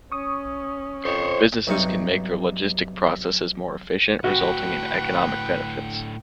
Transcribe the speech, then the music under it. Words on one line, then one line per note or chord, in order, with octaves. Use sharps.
Businesses can make their logistic processes more efficient, resulting in economic benefits.
C#4 C#6 D#6
F2 C5 C#5
B1 G2 C3 D#4 C5 C#6
A2 D3 F#4 B4 F#5 G5